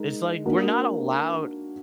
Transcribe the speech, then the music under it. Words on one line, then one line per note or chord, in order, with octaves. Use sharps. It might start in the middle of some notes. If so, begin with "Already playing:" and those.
It's like we're not allowed
Already playing: G#3 D#4 A#4
A#3 D4 F#4 A#4